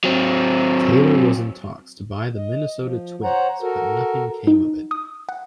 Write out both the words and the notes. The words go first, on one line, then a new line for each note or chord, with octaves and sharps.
Taylor was in talks to buy the Minnesota Twins but nothing came of it.
F#3 C4
D#5
F3
C5 C#5 F#5 A#5
F#4 A4 A#4
D#4
D#6
F#5